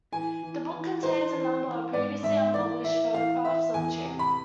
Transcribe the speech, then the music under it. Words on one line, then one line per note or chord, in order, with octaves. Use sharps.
The book contains a number of previously unpublished photographs of Chick.
E3 G#5
E3
E3
E3 C5
E3
E3
G#2 D5
G#2 E5
E3 D5
E3 E5
E3 F5
E3 E5
E2 G#5
C3
B5